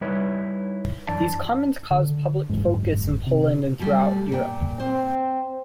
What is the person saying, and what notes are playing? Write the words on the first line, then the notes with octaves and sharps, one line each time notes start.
These comments caused public focus in Poland and throughout Europe.
G3 D#4 E4 B4 C#5
F#2 E3 D4 A5
D3
F#1 E2 G#2
C3
B2 G3 A3
A#2 G5
C4 C5